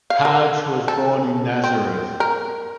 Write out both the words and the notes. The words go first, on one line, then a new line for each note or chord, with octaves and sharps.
Haj was born in Nazareth.
F5
A#4
A4
C4
A#4